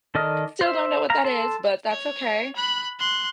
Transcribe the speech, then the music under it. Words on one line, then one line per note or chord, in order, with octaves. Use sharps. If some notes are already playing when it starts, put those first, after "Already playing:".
still don't know what that is, but that's okay.
D#3 A4 D5 D#5 F6
C5 E5
F5 A#5
A4 A5 C6
C#5
B5 F#6
C6 F#6